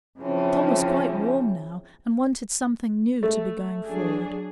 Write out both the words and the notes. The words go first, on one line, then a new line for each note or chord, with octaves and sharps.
Tom was quite warm now, and wanted something new to be going forward.
C#3 E3 F3 C4 C#4
A3
F#3 D4 G#4